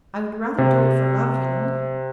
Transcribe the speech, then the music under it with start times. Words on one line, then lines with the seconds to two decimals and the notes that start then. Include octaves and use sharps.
"I would rather do it for love, you know."
0.58 C3